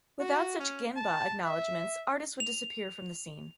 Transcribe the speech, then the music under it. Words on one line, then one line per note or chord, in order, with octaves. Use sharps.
Without such "genba" acknowledgments, artists would disappear from the scene.
F#4
C#4
A5
E5
F7